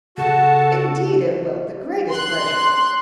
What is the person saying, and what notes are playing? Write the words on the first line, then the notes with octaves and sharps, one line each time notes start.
"Indeed it will; the greatest pleasure."
C#3 F#4 A4 F#5 A5
C6 F#6